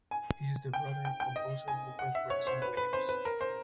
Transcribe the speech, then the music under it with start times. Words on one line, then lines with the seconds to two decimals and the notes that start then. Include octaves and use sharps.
He is the brother of composer Rupert Gregson-Williams.
0.11 G#5
0.73 G5
1.05 G5
1.20 G5
1.36 D#5
1.68 G#5
1.99 F#5
2.15 E5
2.30 C#5
2.47 C5
2.62 B4
2.77 B4
2.93 C5
3.09 B4
3.25 A#4
3.41 C5